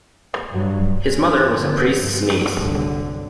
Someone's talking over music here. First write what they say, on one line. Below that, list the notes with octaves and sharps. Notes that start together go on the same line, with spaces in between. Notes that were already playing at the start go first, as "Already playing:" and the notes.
His mother was a priest's niece.
G2 F#3
G1 E3 F#3 C#4
D3 D#3 F3 B3
G2
G1 C2 D3 F#3 C4